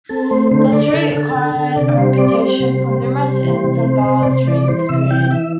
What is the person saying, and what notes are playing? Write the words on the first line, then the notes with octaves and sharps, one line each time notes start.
The street acquired a reputation for numerous inns and bars during this period.
C4 A4
A3 C5
D3 C5
D3 D5
D3 A4
D3
D3
D3
C3 D5
G3 C5
C4 D5
G3 C5
C3
G3
C3
G3
E3
C3
C4
C3
D5
C3 C5
E3 D5
E3 C5
C3 E5
E3 G5
E3 E5